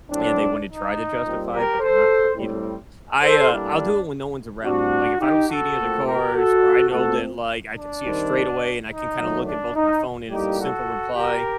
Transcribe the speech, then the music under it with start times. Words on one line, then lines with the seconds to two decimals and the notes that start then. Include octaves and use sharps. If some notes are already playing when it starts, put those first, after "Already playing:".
And they wanna try to justify it, but they're not tr either way, I uh, I'll do it when no one's around, like, if I don't see any other cars, or I know that like, I can see it straight away and I can kind of look at both my phone and it's a simple reply,
0.10 A2 F#3 C4 D4
0.67 D#4
1.23 A#2 G3 C4
1.51 G4 A#4
1.80 A4 C5
2.36 A2 G3 C4
3.22 A4 C5
3.50 A2 G3 A#3 D4
4.63 A2 G3 C4 D4 F#4
5.20 D#4 G4
5.48 F#4 A4
5.76 A#2 A3 C4
6.04 G4 A#4
6.34 F#4 A4
6.90 A#2 A3 C4 F#4 A4
7.75 D4
8.04 D#3 G3 C4
8.88 D#4
9.17 D#3 F#3 A3
9.46 D4
9.74 D#4
10.30 A2 G3 A#3 D#4 G4
10.58 F#4 A4
11.15 G4 A#4